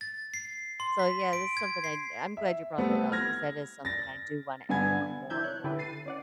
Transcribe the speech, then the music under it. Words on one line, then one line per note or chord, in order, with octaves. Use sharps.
So, yeah, that's something I'd I'm glad you brought that up 'cause that is something I do wanna implement more and more.
A6
C7
C6
B6
D7
G#6
C7
E5
G3 A3 B3 C4
F6 G#6 A#6
A6 A#6
G2 D3 B3 G#5 G#6
E3 D4 A#4 E5 G6 G#6
C#5 F#6
D3 E4 G4 A4 B4
A6 C7 D#7
C#4 D5 F#5